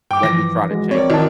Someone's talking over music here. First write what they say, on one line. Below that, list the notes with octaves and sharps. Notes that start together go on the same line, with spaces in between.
let me try to change it."
G2 G5 D6
E3 F3 A#6
G#3 F#4
C4 A#4 C#5 D5
D#3 E3 D5 D#5 A5